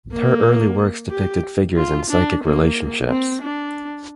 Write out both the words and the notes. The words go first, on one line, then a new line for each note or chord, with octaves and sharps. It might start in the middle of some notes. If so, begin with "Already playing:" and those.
Her early works depicted figures in psychic relationships.
A#3
G4
F4
D4
A#3
C4
D4